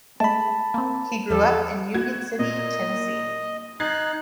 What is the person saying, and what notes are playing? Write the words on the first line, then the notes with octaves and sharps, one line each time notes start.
He grew up in Union City, Tennessee.
G#3 A3 A5 B5
A#3 C4
E2 F3 A4
F#4 G#6
A#2 D#5
D#4 F#6 G#6 A6 C7